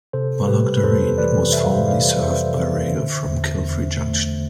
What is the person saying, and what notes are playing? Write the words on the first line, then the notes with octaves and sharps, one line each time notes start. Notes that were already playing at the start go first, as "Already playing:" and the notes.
Ballaghaderreen was formerly served by rail from Kilfree Junction.
C3 A4 C5
G3 G4 B4
B4
F2 A4 C5
E3 B4 D5
C3 E5
F5
C5 E5
G3 D5 F5
F2 C5 E5
E3
D3
E2
E2
A3
D3